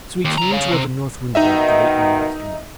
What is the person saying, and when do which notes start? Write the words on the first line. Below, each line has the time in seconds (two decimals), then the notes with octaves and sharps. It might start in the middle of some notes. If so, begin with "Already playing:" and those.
So he came to where the North Wind lived late in the afternoon.
0.25 D#2
0.38 C#3 A#5
0.52 C#5 F5
0.71 C3
1.35 B2 D#3 D#4 D#5 E5